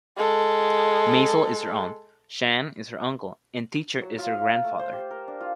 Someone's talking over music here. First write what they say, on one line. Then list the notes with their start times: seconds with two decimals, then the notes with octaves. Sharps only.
Mazal is her aunt, Shann is her uncle, and Teacher is her grandfather.
0.17 G#3 A4
4.02 F#3
4.18 F4
4.33 F5
4.49 A#5
4.64 A3
4.79 C5
4.93 G4
5.11 A#4
5.28 D4
5.40 F4